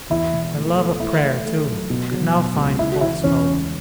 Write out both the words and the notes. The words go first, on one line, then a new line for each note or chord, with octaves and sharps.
Her love of prayer, too, could now find full scope.
E2 E4
E1
A3
A3
A3 E4
A3
A3
F#3
B2
F#3
B2
C#2
C#3 E4
F#4
E3 E4
E2 C#4
C#3